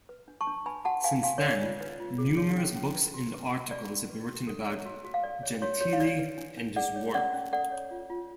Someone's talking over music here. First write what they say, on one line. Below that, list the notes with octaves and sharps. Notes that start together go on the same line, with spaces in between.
Since then, numerous books and articles have been written about Gentili and his work.
B4
D4
A5 C#6
D4
B4 G#5 B5
F#4 F#5 A5
B4 F5 G#5
F#4 F5 G#5
C#5
B4 D5
F4
B4
F4
G#4
C#5
C#4
C#4
B4
F#4
B4
F#4
B4 D5
F#4
B4
F#4
A4
C#5
F#4
F#4
F5
A4 D5
C#5
F#4 C#5
F#4 C#5
F5
F#4 D5
B4
D4
D4
G#4 D5 F#5
C#5
C#4 D5 F#5
C#4
A4 D5 F#5
C#5
F4
F4